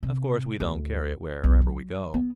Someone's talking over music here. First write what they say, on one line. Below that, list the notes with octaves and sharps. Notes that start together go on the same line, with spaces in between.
Of course we don't carry it wherever we go.
C3
D2
B1
F#3
B3